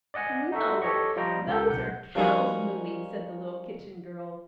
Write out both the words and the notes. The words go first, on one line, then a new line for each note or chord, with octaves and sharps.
"No, those are cows mooing!" said the little Kitchen-girl.
D5 D#5 F#5 G#5
D#4 F#4 A4 E5
G4 A4 C#5 D#5 C#6
F3 G3 F4 D#5 G5 A#5
C#2 G4 A4 G6
B1 F#5 G6
F3 G3 A#3 C#4 D#4 F#4